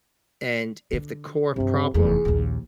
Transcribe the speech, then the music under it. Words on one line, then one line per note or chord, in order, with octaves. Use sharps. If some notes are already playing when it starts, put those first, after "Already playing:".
and if the core problem
D3
G2 C3 F#3
F1 E2 G#4
A#1 D#2